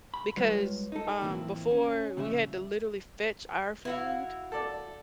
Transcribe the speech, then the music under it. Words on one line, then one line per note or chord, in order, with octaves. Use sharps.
because, um, before we had to literally fetch our food
B5
G3 G#3 F4 B4 C#5
D#4 A4
A2 E3 F3 A#3 C4 E4
C#4
A#2 C#3 F3 D5 E5
E4 F#4 F5
A4 D5